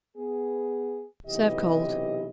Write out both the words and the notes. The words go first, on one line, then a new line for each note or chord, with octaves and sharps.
Serve cold.
B3 G#4
B1 C3 E3 G4 D#5